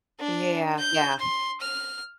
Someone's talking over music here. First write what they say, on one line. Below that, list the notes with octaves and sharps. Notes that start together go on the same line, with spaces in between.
Yeah, yeah.
D4
G6
C6
F6